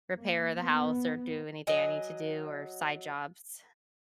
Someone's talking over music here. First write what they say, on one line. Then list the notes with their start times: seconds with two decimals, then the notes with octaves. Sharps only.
repair the house or do anything I need to do or side jobs.
0.18 A#3
0.59 B3
1.67 F#3 D#5 G#5